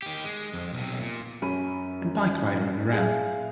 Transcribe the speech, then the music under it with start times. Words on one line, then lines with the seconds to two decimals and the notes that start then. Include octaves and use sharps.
A bike rider on a ramp.
0.02 D#3 G4
0.24 G#3
0.53 F2
0.73 B1 C3
1.01 A#2
1.42 F#2 C#4 B5 D#7
2.93 G#4 E5 F5